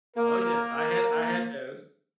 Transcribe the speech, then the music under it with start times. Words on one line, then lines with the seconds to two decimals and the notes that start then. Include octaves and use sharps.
Oh, yes, I had I had those.
0.17 A#3 A#4